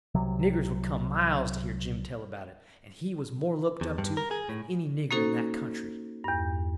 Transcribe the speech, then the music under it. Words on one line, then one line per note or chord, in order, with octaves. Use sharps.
Niggers would come miles to hear Jim tell about it, and he was more looked up to than any nigger in that country.
C2 C3 F#3
E2
G2
A#4
G#4
A2
A#3 C#4 D#4 F#4 A4 C5
E2 G2